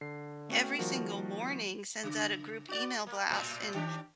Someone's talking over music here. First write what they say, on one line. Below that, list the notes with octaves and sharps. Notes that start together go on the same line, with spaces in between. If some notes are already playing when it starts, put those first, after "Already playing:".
every single morning sends out a group email blast, and
D3 C7
A3 B3 C#4 F#4 G5
D#3 F3 G3 A#3 F#4 A#4
C#3
F#4 D5
A#3
A2 C3 G3
D#3 D4 G4